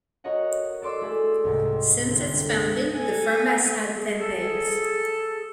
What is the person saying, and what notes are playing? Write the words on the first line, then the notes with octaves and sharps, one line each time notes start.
Since its founding, the firm has had ten names.
F#4 A#4 C#5 D#5 F#5
A4 D5 C6 D6 E6
A3 E4 G#4 A4
C2 G#2 C3
G1
A4 G#5
G#4
A4